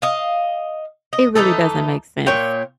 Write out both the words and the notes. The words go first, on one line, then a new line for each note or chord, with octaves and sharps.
It really doesn't make sense.
D#5 F5
D#5
E3 A3 D#4 A4
A#2 C#5 G5